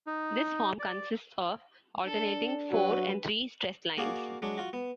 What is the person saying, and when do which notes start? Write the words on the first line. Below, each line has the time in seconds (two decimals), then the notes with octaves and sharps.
This form consists of alternating four- and three-stress lines.
0.07 D#4
0.80 D5
2.05 D4 A4
2.71 F#3 F#4 B4
3.98 A#3 F#4 G#4 D5 F5
4.42 F#3 G#3 D4
4.58 F4 F#4
4.73 B3